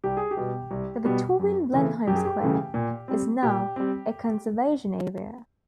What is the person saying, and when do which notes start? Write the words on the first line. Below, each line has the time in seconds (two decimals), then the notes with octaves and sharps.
The Victorian Blenheim Square is now a Conservation Area.
0.04 C2 G4
0.17 G#4
0.31 G4
0.37 B2 G3 B3
0.71 C2
1.05 B2 G3 B3
1.39 F#2
1.73 C#3 E3 A3
2.07 F#2 G4
2.15 G#4
2.25 G4
2.41 C#3 E3 A3
2.74 A#2
3.08 G3 C4
3.43 A#2 G4
3.76 G3 C4